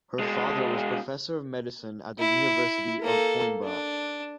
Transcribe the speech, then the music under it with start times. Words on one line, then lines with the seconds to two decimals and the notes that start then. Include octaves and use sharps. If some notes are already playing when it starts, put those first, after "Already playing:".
Her father was professor of medicine at the University of Coimbra.
0.19 B2 G#3
2.19 E4
3.03 A#3 A4
3.64 D4